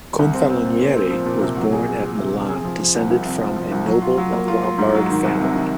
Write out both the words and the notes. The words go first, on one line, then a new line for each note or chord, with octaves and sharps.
Confalonieri was born at Milan, descended from a noble Lombard family.
C2
C4
C4
A#2
A#2
C4
F3
A#2
C3
F#3
G#4
G#4
G#4
C3
C3
G#4
F3
F3
C2
C2
C3
F3
F3
C2
F#3
F4
F#3
A#3
F4
F4
G#2
F#3
D#3
C2
C3
D#3